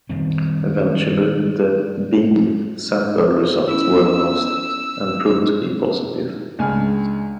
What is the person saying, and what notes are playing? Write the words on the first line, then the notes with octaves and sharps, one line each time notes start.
Eventually the 'B' sample results were announced, and proved to be positive.
D#3 G3 C4
B3 C#4 E4 E6
C#2 C#4 D4 G#5 F6